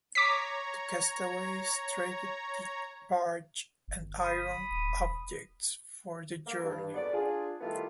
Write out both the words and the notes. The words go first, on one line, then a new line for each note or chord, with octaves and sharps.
The castaways traded the barge and iron objects for the journey.
C#5 A#5 D6 B6
G1
B5 D#6
D1
E1
A#3
G2
F2 G#2 F#3 B3 D5
D4 F4 G#4
D#3 G3 A3 B3 E4 F4